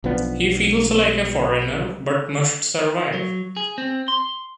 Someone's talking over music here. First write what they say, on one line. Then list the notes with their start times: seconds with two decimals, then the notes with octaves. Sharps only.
He feels like a foreigner, but must survive.
0.04 B1 F3 B3 D4
3.14 F#3
3.57 G#4
3.78 C4
4.08 C6